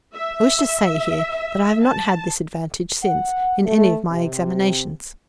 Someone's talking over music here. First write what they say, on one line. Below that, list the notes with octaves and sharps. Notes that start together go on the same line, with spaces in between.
I wish to say here that I have not had this advantage since in any of my examinations.
E5
A5
F#5
A3
C3